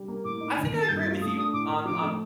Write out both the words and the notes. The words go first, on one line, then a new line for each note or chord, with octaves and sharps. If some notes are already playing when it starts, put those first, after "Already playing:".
I think I agree with you on on
Already playing: G3
A#3
A2 D6
D#4
D#3
A#3
A6
G2 G6
A6
F4
A3 D#6
D4 D#6
A2 D6
A2
F3 D6
A3